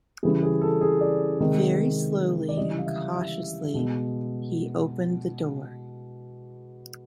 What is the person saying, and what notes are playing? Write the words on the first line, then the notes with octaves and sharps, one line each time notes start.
Very slowly and cautiously he opened the door.
C#3 E3 G3 G#4
G#4
A4
G#4
D5
C3 D#3 G#3
D5
C#3 E3 G3 D#5
F5
E5
E5
B2 G#3